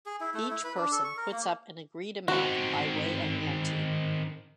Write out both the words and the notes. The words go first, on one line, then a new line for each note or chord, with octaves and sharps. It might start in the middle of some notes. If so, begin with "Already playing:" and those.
Each person puts up an agreed amount by way of ante.
G#4
E4
A3
E4
B4
D4
A4
C#6
A#4
A#3
D#3 C4 F#4